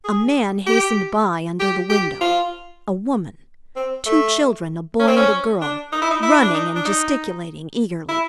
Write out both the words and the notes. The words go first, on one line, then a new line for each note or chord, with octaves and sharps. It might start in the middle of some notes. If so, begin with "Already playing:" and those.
A man hastened by under the window; a woman; two children, a boy and a girl, running and gesticulating eagerly.
G#4
G4
G4
G4
F4
C4
A3
C#4
C4
C#4
D4
D#4
E4
D#4
E4
D4
D#4
D4
D#4
E4